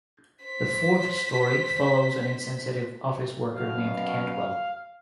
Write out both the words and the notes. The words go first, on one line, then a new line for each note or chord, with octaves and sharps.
The fourth story follows an insensitive office worker named Cantwell.
C5 B6
F#2 B2 F5